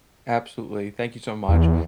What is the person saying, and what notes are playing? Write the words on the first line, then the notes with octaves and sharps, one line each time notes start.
Absolutely. Thank you so much.
E2